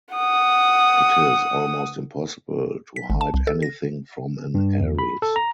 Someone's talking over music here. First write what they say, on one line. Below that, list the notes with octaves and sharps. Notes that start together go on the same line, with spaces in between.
It is almost impossible to hide anything from an Aries.
F#5 D#6
B6
G#1
A5
C2
A4
A#6
G2
E2
B5
A4
A#5